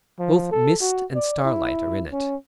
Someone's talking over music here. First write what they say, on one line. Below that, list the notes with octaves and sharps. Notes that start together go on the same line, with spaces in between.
Both mist and starlight are in it.
F3
A4
F#4
D5
E4
C#4